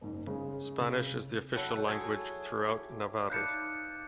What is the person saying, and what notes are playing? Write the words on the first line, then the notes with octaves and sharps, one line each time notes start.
Spanish is the official language throughout Navarre.
F#1 G#2
C#3 G#3
C3
F#3 E4 A4 F#5 G5
F#4 G#4 A4 G#6
G4 G5
D#4 B4 D5 F5 A5 F#6 G6 C#7